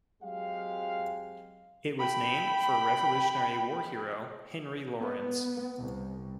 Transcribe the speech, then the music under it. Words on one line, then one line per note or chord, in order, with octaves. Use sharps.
It was named for Revolutionary War hero Henry Laurens.
F#3 G#3 C4 G4 F5
G5 B5
B3
C2